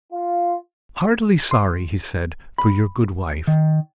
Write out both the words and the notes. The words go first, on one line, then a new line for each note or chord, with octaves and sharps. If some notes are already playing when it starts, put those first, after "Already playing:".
'Heartily sorry,' he said, 'for your good wife.
F4
C6
B5
D#3